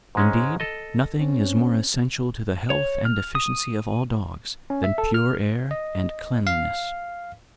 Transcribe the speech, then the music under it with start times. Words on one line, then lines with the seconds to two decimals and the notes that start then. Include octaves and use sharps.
Indeed, nothing is more essential to the health and efficiency of all dogs than pure air and cleanliness.
0.15 G#2 G#3 C#4
0.60 A4 D#5
1.18 C4 C#4
2.70 C#5
3.05 F6
3.35 D#6
4.70 C#4
4.84 E5
4.98 A4
5.14 F6
5.71 D#5
6.47 F5